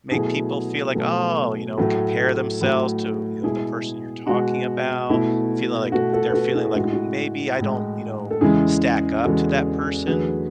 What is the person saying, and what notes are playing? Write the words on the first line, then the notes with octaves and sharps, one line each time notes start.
make people feel like, "Oh" you know, compare themselves to, you know, the person you're talking about, feeling like they're feeling like maybe I don't, you know, stack up to that person,
B2 F#3 A3 E4 G#4
B2 F#3 A3
A2 F#3 A3
A2 F#3 A3
B2 G#3 E4 G#4
B2 G#3 F#4
B2 A3 E4
B2 A3 F#4
F#4 A4
B4
F#4 A4
E4 G#4
A2 G#3 F#4
E4
F#4
A2 G#3
A4
E2 C#3 G#3 E4 G#4
E2 C#3 G#3 F#4 A4
E2 D3 F#3 A3 G#4 B4